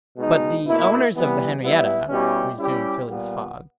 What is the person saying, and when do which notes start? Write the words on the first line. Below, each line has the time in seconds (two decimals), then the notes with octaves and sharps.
"But the owners of the Henrietta--" resumed Phileas Fogg.
0.16 B2 G#3 D#4
0.64 B2 A#3 E4
1.13 E3 G3 B3
1.60 G3 B3 E4
2.09 B2 G3 C#4 E4 G4
2.57 G3 C#4 E4 G4
3.05 A#2 G3 B3